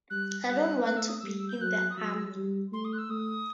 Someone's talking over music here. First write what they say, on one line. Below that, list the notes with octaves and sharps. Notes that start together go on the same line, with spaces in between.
I don’t want to be in the army.
G3 F#6
G3 F#6
A3 F#6
E6
D#6
G3 E6
G6
F#3 F#6
D#6
F#3 E6
G3
A3 C6
D#6
F#6
E6
A3 D#6